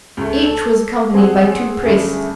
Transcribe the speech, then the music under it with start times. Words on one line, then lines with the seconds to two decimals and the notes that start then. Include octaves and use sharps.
Each was accompanied by two priests.
0.17 C#2 A3
0.45 A4
1.14 C4 G#4 F#5
1.83 G1 C#3 A3 G#4